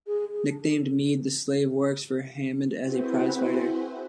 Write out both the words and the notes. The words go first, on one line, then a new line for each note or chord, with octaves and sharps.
Nicknamed "Mede", the slave works for Hammond as a prize-fighter.
G#4
G#4
D4
A4
C4 E4 F#4 G#4 B4 C5